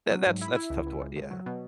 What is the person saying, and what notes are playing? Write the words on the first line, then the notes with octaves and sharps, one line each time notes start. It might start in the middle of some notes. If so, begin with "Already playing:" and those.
That that's that's tough to wa yeah.
F#3
G#2
E4
E4
C#2
C#2
C#2
C#2
F#3
B2